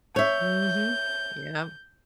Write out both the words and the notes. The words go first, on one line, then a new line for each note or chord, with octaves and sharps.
Mhm, yep.
C#5 E5 G6